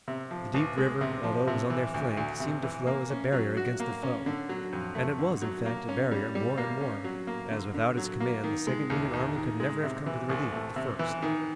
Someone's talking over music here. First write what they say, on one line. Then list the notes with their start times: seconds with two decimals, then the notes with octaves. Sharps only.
The deep river, although it was on their flank, seemed to flow as a barrier against the foe, and it was, in fact, a barrier more and more, as without its command the second Union army could never have come to the relief of the first.
0.08 C3
0.31 F3
0.54 C#2
0.77 G#3
1.01 C3
1.24 F3
1.47 C3
1.70 E3
1.94 D2
2.17 D2
2.40 C3
2.63 E3
2.87 A#3
3.10 C#4
3.32 F#3
3.57 F#4
3.80 A#3
4.03 C#4
4.26 D3
4.49 F#3
4.73 F2
4.95 A3
5.19 D3
5.42 F#3
5.66 A#3
5.89 C#4
6.11 G3
6.35 G3
6.57 A#3
6.81 C#4
7.04 F#3
7.27 A#3
7.51 D3
7.74 D3
7.97 F#3
8.20 A#3
8.44 D#3
8.67 G#3
8.90 D#2
9.13 D#2
9.36 D#3
9.60 G#3
9.83 C3
10.06 E3
10.29 C2
10.52 A3
10.76 C3
10.99 E3
11.22 D#3